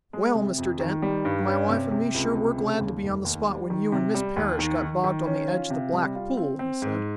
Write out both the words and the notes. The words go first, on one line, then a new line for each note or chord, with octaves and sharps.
"Well, Mr. Dent, my wife and me sure were glad to be on the spot when you and Miss Parrish got bogged on the edge of the Black Pool," he said.
G#3
C3
F2
D#3
G3
G2
C#4
C3
C3
C#2
C3
C#3
D#2
F1
D#2
G3
D#3
C3
G3
D#2
D#3
D#3
D#3
C#4
F4
C3
G3
F4
C4
C4
G#2